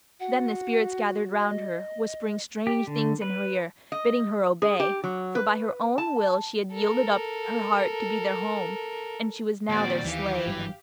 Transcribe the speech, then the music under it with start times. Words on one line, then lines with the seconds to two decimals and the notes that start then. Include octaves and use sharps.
Then the spirits gathered round her, whispering strange things in her ear, bidding her obey, for by her own will she had yielded up her heart to be their home, and she was now their slave.
0.20 F#4 F#5
1.39 D#5
2.67 G4
2.87 D3
3.22 B4
3.92 D#5
4.62 G#4
4.80 G4
5.04 F#3
5.35 B4
5.98 A5
6.72 A4 A#4
9.69 D#2 A#2 C4 F#4 D5
10.05 D#2 E3 G4 F5
10.46 G#1 G2 F#3